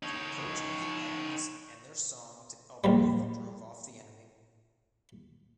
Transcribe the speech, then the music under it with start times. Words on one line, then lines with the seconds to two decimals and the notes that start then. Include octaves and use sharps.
The approach of the elves and their song to Elbereth drove off the enemy.
0.03 D#4 C#5
2.84 A#1 F2 G3